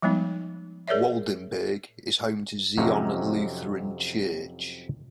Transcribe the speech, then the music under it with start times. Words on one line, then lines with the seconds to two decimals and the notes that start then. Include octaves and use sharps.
Waldenburg is home to Zion Lutheran Church.
0.02 F3 G3 G#3 B3 D#4
0.88 G#4 A#4 C#5 D5 E5
2.77 F2 C3 F#3 C#4 D#4